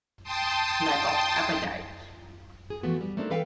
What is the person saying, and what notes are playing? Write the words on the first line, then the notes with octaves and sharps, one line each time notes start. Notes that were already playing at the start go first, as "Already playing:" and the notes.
Lack of appetite!
G5 A5 C6 D#6
G#4
E3 F3 A3 B3 F#4
G3
A3 A#3 C4 D4 D#4 A4
E3 A4 B4 F5 G5